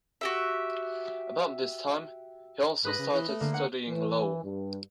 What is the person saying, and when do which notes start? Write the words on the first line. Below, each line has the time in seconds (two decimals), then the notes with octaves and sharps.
About this time he also started studying law.
0.21 F#4 G4 E5
2.85 G#2 B4 D#6 A#6
2.98 C#3
3.13 E3
3.28 A3
3.40 D3 A#3
3.54 F#5
3.87 E3
4.43 G2